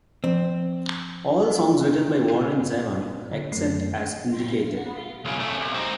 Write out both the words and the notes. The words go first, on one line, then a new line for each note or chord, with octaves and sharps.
All songs written by Warren Zevon except as indicated.
F3 C4
D3
F#2 D#3 A3 C7
B1 C#3
C#3 A3
C2
C4 D#4